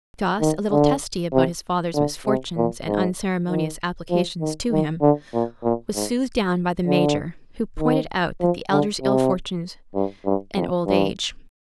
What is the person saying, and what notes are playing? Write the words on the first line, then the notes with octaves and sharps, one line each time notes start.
Jos, a little testy about his father's misfortunes and unceremonious applications to him, was soothed down by the Major, who pointed out the elder's ill fortunes and old age.
D#3
D3
C3
D3
C3
A#2
G#2
D#3
F3
D#3
D#3
D3
A#2
A#2
G#2
D3
D#3
F3
D3
C3
G2
G2
F2
G2